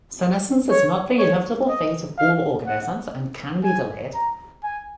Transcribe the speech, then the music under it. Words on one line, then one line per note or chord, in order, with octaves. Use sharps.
Senescence is not the inevitable fate of all organisms and can be delayed.
C#5
C#5
D#5
F5
F#5
G#5
A#5
G#5